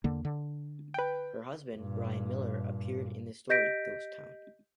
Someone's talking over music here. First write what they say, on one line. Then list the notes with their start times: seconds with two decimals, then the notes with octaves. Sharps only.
Her husband, Brian Miller, appeared in the story "Ghost Town".
0.04 E2 D3 A#3
0.25 D3
0.94 B4 G5
1.77 G2 A#2
3.49 G4 D#5 G6 A#6 B6 D7